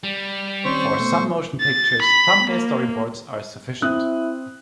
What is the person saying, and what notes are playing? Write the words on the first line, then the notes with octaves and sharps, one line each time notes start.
For some motion pictures, thumbnail storyboards are sufficient.
G3
D#3 C4 C#4 C5 C#6
B2 A3
A6
B5
A#3
C4 E4 D#6 F#6